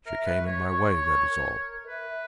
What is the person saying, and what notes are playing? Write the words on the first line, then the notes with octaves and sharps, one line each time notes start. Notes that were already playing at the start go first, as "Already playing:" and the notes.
She came in my way, that is all.
A#4 E5
B4
C#6
C#5
C#5 C#6
C#6
A#4
A#4
B4 E5